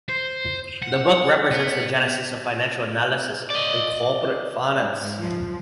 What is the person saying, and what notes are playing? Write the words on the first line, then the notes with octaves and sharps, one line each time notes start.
The book represents the genesis of financial analysis and corporate finance.
C5
F#5
B3
D5 D#5
G#2
F3